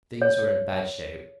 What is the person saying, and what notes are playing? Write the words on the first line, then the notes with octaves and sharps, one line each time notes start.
Things were in bad shape.
C#5